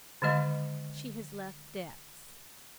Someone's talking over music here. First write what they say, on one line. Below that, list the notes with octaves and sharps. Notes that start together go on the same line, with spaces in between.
She has left debts.
D3 D#3 G#3 D#5